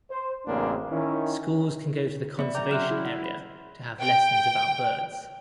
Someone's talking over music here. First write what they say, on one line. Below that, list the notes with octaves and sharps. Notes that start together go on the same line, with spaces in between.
Schools can go to the Conservation area to have lessons about birds.
C5
A1 F#2 C#3 A#3 C4 D4
D#3 C#4 E4
B3 D5 E5
F#3 C#4 G5 A#5 D6
E5 C6 F6 F#6 E7
E4
F#5
B5
G5